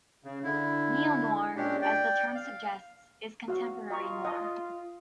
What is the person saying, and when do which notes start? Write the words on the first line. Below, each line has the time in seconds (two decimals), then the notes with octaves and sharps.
Neo-noir, as the term suggests, is contemporary noir.
0.24 C#3
0.44 D3 E4
1.56 A#2 G#3 C#4 D4 G4
1.81 D5 G5
2.35 F5
3.48 F#4 F5
3.90 F4 D#5 A#5 C#6
4.25 D#5